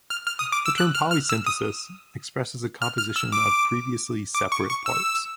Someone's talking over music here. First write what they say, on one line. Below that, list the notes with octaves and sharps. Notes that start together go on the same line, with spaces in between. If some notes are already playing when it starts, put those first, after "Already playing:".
The term polysynthesis expresses a composition of previously separate parts.
F6
F6
D#6
D6
E6
F#6
F6
F6
E6
D#6
F6
F6
E6
D6
D6
C#6
C#6
E6